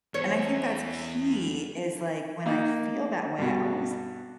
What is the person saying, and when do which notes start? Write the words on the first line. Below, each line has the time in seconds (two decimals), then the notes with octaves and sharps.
And I think that's key is, like, when I feel that way, I always
0.14 E2 C#5
2.46 A#3 D#4
3.38 G2 B2